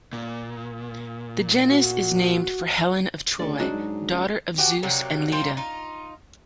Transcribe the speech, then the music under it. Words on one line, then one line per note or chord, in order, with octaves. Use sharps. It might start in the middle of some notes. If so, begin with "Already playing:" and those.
The genus is named for Helen of Troy, daughter of Zeus and Leda.
A#2
F#4
D2 C#3 D5
C#2 F#3 D4 D#4
G#2
C#2
F3 F#4 G4
C3 F#3 G3 A#3
D#3 G3 A#3 C5
D#4 F4